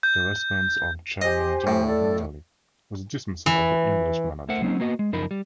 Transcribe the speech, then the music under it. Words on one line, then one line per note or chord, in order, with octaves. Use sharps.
The response of chairman Gianni Agnelli was the dismissal of the English manager.
G6
G4 C5 D#5 G#5
A2
A4 D5
E3
A3 A#4 C5 E5 F#5
F#3 A#3 C4 C#4 D#4
A#3 B3 F#4 D#5
G#3
C#2 F#2 F3 D#4 A#4 B5
G3